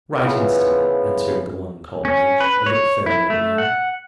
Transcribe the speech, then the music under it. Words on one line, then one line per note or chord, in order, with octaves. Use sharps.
"Right instantly," answered the one called Midge, a little ferret of a man.
C#3 E3 F3 B3
C#4
B4
C#5
E4
A3
F#5